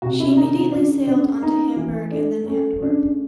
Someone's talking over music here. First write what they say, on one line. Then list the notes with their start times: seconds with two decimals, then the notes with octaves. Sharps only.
She immediately sailed on to Hamburg and then Antwerp.
0.02 C3 F#4
0.20 E4
0.32 D4
0.37 D#3 D#4
0.55 D#4
0.72 C#3 D4
1.06 C#3 D4
1.42 B3 D#4
1.76 E3
2.11 A3 D4
2.46 A3 C#4
2.81 C#3 D4